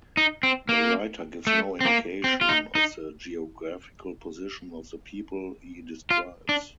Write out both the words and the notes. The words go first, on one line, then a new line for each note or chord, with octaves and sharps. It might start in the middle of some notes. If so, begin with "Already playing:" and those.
The writer gives no indication of the geographical position of the people he describes.
D#4
C4
A#3
A3
C4
A#3
C4
F4
D#4
D#4
F4
D4